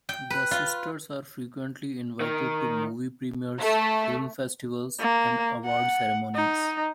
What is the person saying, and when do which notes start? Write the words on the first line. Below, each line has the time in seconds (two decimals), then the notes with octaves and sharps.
The sisters are frequently invited to movie premieres, film festivals, and award ceremonies.
0.09 G5
0.30 B4
0.51 F4
2.20 D#3
3.60 A3
5.00 A#3
5.66 F#5
6.35 D#4